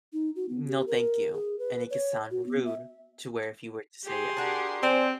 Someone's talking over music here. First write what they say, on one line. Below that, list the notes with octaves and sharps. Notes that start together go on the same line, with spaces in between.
"No, thank you," and it could sound rude, to where if you were to say a
D#4
F#4
B3
G4
A#4
G#4
B4
C#5
F#4
B3
E5
G4 G#4 C6
D4 F#4 A#4
C4 C5 D5 G#5